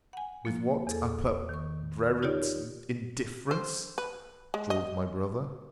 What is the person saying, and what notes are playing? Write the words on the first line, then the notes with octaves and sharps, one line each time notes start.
With what appa--rent indifference, drawled my brother.
F#5 G#5
F3 A#3
E2 G#4 A4
D#3 C#6
D#4 F4 G4 A#4 C#5 D5
C5
B4
G#3
D#5